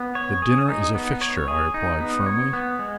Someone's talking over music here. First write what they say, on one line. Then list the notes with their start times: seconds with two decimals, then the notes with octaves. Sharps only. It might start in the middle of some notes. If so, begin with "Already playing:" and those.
"The dinner is a fixture," I replied firmly.
Already playing: B3
0.15 C#5
0.42 G#4
0.69 D#4
0.95 B3
1.21 C#5
1.48 G#4
1.74 D#4
2.00 B3
2.26 C#5
2.53 B3
2.79 G#3